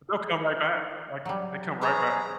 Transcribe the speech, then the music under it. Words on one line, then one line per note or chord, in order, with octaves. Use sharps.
They'll come right back, like, they come right back.
F#3 G3
G#4 B4 C5 A#5 C#6